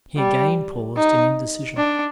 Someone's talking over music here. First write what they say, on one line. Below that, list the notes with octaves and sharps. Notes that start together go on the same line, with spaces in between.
He again paused in indecision.
G3
D#4
D4